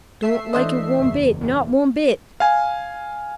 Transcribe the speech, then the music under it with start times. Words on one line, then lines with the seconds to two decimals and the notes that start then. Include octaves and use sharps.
Don't like it one bit, not one bit!
0.22 A3 E5 C7
0.53 E3 D4 C5 D#5
0.98 F#1 E2
1.41 B1
2.40 F5 G#5